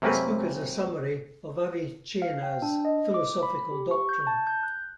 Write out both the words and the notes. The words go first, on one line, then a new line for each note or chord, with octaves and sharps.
This book is the summary of Avicenna's philosophical doctrine.
F#2 C3 A#3 C4 C#4 B4
F5
G5
D4
D#5
D6
B5
G4
C#6
G6
A5
G6
F#6